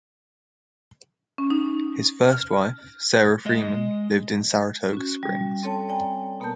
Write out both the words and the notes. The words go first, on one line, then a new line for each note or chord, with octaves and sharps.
His first wife, Sarah Freeman, lived in Saratoga Springs.
C#4
D#4
F6
G#3 D#5
C#4 F#4
G3
C4 A4 C#5 G5 A5
D5 G5 G#5 A#5
B2 A#3 B3 A#4 A5 G6